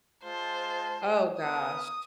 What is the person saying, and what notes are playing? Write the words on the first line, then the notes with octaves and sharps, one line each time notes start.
Oh, gosh.
G#3 F4 C5 A5
B3 E4 A#4 D#6